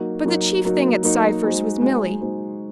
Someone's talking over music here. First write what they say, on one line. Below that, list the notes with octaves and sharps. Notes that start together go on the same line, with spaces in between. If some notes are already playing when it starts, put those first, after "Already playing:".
But the chief thing at Cypher's was Milly.
Already playing: F#3 A#3 D#4 F#4
F#3 A#3 D#4 F#4
F#3 A#3 D#4 F#4
F#3 A#3 D#4 F#4
G#3 D#4 F#4 C5
G#3 D#4 F#4 C5
G#3 D#4 F#4 C5